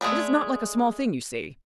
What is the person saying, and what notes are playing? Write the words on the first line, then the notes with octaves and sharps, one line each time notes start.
It is not like a small thing, you see.
G#3 A3 G#4 D5